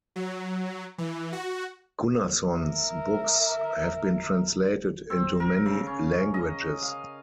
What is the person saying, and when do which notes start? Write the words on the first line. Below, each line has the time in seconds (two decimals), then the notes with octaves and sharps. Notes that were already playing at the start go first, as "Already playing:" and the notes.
Gunnarsson's books have been translated into many languages.
0.16 F#3
0.98 E3
1.32 F#4
2.61 A#4 E5
5.10 C4
5.40 A#4
5.66 C#3
5.87 C#4
6.34 D#5
6.82 F5